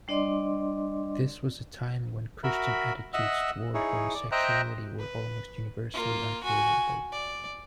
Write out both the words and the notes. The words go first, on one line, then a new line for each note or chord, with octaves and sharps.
This was a time when Christian attitudes toward homosexuality were almost universally unfavorable.
G3 D4 D5 D#5 C6 D6
F#4 A#4 E5 B5
D#5 E5 F#5 E6
D#4 E4 G#4 C#5
D5
C5 D#5 E5 G5 A#5 F#6
B4
A#3 F4
F#4 G#5
D5